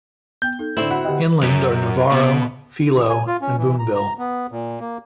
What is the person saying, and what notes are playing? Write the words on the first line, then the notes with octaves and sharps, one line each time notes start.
Inland are Navarro, Philo, and Boonville.
B3 G5 G6
D#4 A4
A2 D3 C4 E4
F#4 F#5 B5
D3 G4 D#5 G5
F#2
B2
E3
G#5
F4
C#4
E3
A#5
A#5
B3
A#2
A#3